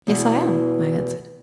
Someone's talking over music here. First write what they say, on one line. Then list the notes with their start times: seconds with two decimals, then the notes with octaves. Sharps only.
"Yes; I am," I answered.
0.07 E2 B2 E3